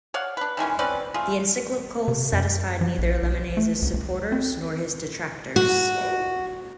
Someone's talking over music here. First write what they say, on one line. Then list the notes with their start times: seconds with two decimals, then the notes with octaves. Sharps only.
The encyclical satisfied neither Lamennais's supporters nor his detractors.
0.14 C#5 D5 F5 F#5
0.37 D4 B4
0.57 D#3 E3 G#3 C#4
0.79 C4 C#4 B4 D5
1.14 A3 F4 G#4
2.08 C3
2.33 F#2
2.81 F3
2.98 A#1
3.23 B1
3.57 A3
3.82 C#2
3.94 C#2
4.32 C4
5.56 F#4